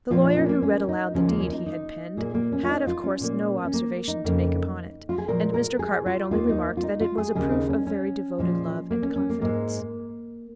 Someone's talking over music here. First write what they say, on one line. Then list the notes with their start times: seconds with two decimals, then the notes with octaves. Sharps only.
The lawyer who read aloud the deed he had penned, had of course no observation to make upon it, and Mr. Cartwright only remarked that it was a proof of very devoted love and confidence.
0.10 A#2 F3 A#3 F4
0.23 D#4
0.36 C#4
0.49 A#3
0.62 C#4
0.89 D#4
1.14 D#2 C#3 F3 C#4
1.27 A#3
1.40 C#4
1.49 F4
1.53 D#4
1.66 D#4
2.17 A#2 A#3 G#4
2.34 A#3
2.52 C#4
2.63 F4
2.69 D#4
2.87 F4
3.04 C#4
3.21 A#2 A#3
3.65 C#4
3.73 A#3
4.08 D#4
4.24 F2 C#3 A#3
5.09 F4
5.18 G#4
5.28 A#2 F3 G#3 A#4
5.54 A#4
5.79 G#4
6.06 F4
6.31 D#2 D#3 A#3 F4
6.49 D#4
6.77 F4
6.83 D#4
7.01 F4
7.18 G#4
7.35 D#2 C#3 G#3 G#4
7.52 D#4
7.69 C#4
7.87 C#4
8.38 A#2 F3 G#3
8.91 A#3
9.02 C#4
9.16 C#4
9.30 A#3
9.41 G#2 G#3 A#3